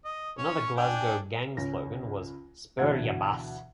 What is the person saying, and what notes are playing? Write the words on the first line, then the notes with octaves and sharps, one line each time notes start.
Another Glasgow gang slogan was "Spur ya Bass".
D#5
C#4 C#5
D4 G5 G#5
C#2 C#4 A#6
D2 B2 E3 D4 F#5 G#6